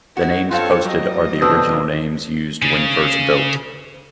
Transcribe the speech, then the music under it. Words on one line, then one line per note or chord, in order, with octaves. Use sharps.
The names posted are the original names used when first built.
D#4 E4 F#4
G2 C4 F4 A4 C#5 F5
F#3 G3 D#5
F2 B2 D3 D4 B4 C5 D#6 E6
C#3